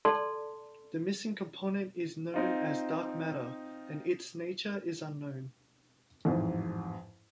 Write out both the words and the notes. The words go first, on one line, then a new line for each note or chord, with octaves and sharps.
The missing component is known as dark matter and its nature is unknown.
A4 D5 A5 C6
C4 D#4 F4
A1 F2 G#2